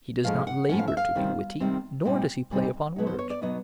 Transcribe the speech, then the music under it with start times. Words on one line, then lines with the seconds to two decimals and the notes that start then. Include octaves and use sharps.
He does not labour to be witty, nor does he play upon words....
0.25 A2 F3 G#3 C#4 F5
0.47 F#5
0.69 A2 F3 G#3 C#4 F#5
0.79 F5
0.88 E5
0.97 F5
1.15 C3 D#3 G3 C4
1.60 C3 D#3 G3 C4
2.05 A#2 G3 C4 D#4
2.51 A#2 G3 C4 D#4
2.96 B2 F#3 B3 D#4
3.07 C5
3.19 C#5
3.30 D5
3.41 B2 F#3 B3 D#4 D#5